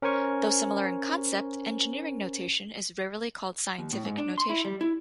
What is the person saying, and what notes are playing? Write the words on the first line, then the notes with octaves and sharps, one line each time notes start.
Though similar in concept, engineering notation is rarely called scientific notation.
C#4 A#4 C5 G#5 C#6
D#2
A2
G#2
D4
C6
E4
G3
E4